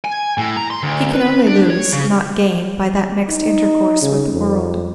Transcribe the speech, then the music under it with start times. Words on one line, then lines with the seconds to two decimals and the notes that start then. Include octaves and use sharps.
He can only lose, not gain, by that mixed intercourse with the world.
0.05 G#5
0.38 A2
0.57 A#5
0.70 C6
0.83 D2
1.14 B4
1.47 D4
1.70 C#5
1.92 C#3
3.29 D#4
4.02 C#3
4.33 F2